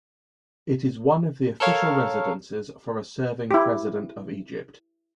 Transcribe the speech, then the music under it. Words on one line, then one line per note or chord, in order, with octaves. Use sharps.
It is one of the official residences for a serving President of Egypt.
A4 A#4 C#5 F5
E4 G4